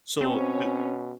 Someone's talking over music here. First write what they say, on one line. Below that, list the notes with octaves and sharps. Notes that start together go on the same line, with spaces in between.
so the
B2 C4 C#4